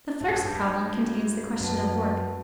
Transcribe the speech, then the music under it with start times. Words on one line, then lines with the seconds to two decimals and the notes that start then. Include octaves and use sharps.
The first problem contains the question of work.
0.21 A2 D4 G4 C#5 E5 A5
0.28 G2
0.36 F#2
0.43 G2
0.90 A3 C#4 F#4
1.60 F#2 F#4 B4 F#5 A5